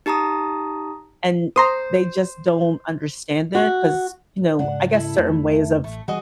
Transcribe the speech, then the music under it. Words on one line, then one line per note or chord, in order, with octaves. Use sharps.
and they just don't understand it, 'cause, you know I guess certain ways of
D#4 G4 A5 A#5 D#6
C5 A#5 C6 D#6
F#4
G#2 C#3 G#3 D4 F#5
E4 A4
F2 A3
A1 A3
E3 G3 F#4 G#4 D#5